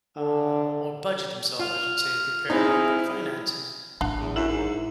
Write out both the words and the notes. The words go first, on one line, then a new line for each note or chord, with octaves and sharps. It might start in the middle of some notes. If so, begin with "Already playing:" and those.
uh, or budget themselves, I should say, and prepare, like, their finances,
D3
F4 F6
C4 D#4 E4 G#4
A1 D4 F#5
E2
F#2 E4 E5
G#2